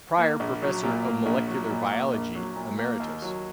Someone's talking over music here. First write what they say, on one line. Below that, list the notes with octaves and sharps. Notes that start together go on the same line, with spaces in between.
Prior Professor of Molecular Biology, Emeritus.
A#3
A#1
F#3
A#2
A#3
A#1
F#3
A#2
A#3
A#1
F#3
A#2
A#3
D#2
F#3